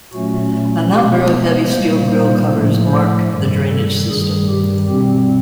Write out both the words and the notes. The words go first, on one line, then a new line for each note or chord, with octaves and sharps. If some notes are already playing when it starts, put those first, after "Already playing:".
A number of heavy steel grille covers mark the drainage system.
A#2 F#3 A3 C#4 F#4
B2 G#3 B3 G4
A#2 G3 A#3 C5
C5
A2 F3 A3
C5
G2 D#3 G3
A4
G2 D#3 G3 G#4
G4
B2 G3 C4 G4